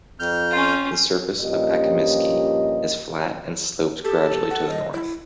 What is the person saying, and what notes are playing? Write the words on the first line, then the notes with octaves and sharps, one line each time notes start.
The surface of Akimiski is flat and slopes gradually to the north.
F2 F6 G6
C#4 F4
G2 A#2 F3 C#4 G4 D#5
G4 A4
F#5
D#5
E4